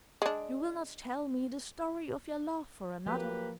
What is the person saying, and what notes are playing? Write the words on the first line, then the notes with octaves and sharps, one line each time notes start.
You will not tell me the story of your love for another!
G#3 D4
F3 F#3 A#3 G4 B4